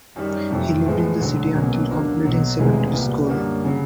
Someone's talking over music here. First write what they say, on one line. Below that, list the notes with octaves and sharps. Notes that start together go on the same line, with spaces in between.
He lived in the city until completing secondary school.
F#2 D#3 G3
F2 C3 F3 A3
A2 F3 G#3 B3
E1 D2 D3 F#3
B1 B2 F#3 A#3 C#4
D#2 D3 F#3 A#3 D4
B1 B2 F#3
E1 D2 C3 E3 G#3
C2 A#2 G3 B3
F#2 D3 G3 A#3
C#3 F#3